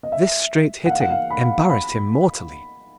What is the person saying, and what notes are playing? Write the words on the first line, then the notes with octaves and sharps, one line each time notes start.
This straight hitting embarrassed him mortally.
D#5
E5
F#5
F5
F#5
F5
B5
B5